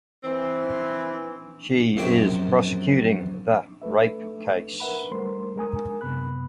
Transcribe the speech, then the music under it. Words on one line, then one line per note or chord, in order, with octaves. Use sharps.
She is prosecuting the rape case.
E3 C4
A#1 F#2 C4 G4 C#5 D6
A3 A4 B4 E5
A#4 B4 E5 F#5 B5
G3 A3 A#4 C5 C6
G#3 A#4 G#5 D#6
F#2 C3 B3 B5 F#6